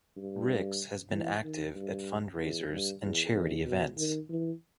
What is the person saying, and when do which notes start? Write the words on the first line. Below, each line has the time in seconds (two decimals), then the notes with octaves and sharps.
Ricks has been active at fundraisers and charity events.
0.16 G2
1.11 E3
1.43 D#3
1.75 G2
2.39 E2
2.70 G2
3.02 E2
3.33 E2
3.65 B2
3.97 D#3
4.29 E3